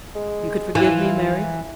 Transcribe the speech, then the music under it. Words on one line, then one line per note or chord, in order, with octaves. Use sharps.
"You could forgive me, Mary?"
G#3
E3 F4